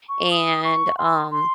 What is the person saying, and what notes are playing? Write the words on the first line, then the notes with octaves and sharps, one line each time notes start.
and, um,
C#6
D#6
C#6
C6
C6